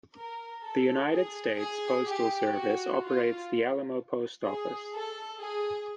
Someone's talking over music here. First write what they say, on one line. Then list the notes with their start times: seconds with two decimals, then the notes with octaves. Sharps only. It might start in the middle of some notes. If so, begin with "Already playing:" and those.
The United States Postal Service operates the Alamo Post Office.
0.16 A#4
0.63 A4
1.11 G#4
1.60 G#4
2.06 G4
2.54 F#4
3.02 F4
4.45 G#4
4.93 A4
5.40 G#4